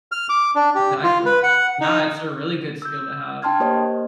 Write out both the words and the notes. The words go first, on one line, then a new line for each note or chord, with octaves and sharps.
Exactly, yeah, it's a really good skill to have.
F6
D6
D4
G4
F4
B4
F#5
D#4
E6 G6
D4 G5 A5 C6 F6 G#6
A#3 G4 C5 C#5 D#5